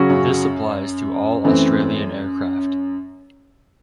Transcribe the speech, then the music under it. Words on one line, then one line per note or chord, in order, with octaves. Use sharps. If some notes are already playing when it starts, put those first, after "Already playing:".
This applies to all Australian aircraft.
Already playing: C#3 F#3 C#4 F#4
F#2
F#2 E3 A3 C4